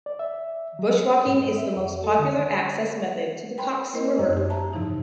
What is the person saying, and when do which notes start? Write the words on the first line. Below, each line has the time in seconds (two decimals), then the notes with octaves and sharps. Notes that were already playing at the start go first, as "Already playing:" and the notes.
Bushwalking is the most popular access method to the Coxs River.
0.06 D5
0.19 E5
0.79 F#3
0.94 B4
1.26 G#2
1.58 E5
1.76 F2
2.04 A4
2.19 D3
3.58 B4 G5 B5 C6
3.93 A#3 E4 A#4 C5 D#5
4.17 F#2 D#4 D#5
4.37 G4
4.50 E5 A5 A#5
4.73 G#2 C3 E3 F3 D#4 E4